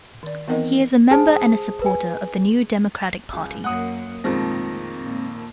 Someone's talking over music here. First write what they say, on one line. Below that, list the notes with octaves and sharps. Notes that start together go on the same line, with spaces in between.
He is a member and a supporter of the New Democratic Party.
D#3 D5
E3 B3 C4 D#4 A#4 D#5
G#4 C5 A5
B4 G#5
C#2
F#2 A#3 F#5 D#6
F2 A#2 D#3 F3 G#3 A3 C4 A#6
A#2